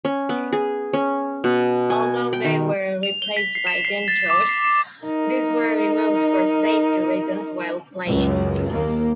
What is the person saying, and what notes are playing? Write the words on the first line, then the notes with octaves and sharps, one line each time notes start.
Although they were replaced by dentures, these were removed for safety reasons while playing.
C#4
B3
G#4
C#4
B2
G#5
G5
D#3
F7
G7
B6
C7
E7
C7
A6
D6
C7
C7
D#4 A#4
C#2 F#2
D#2 A#3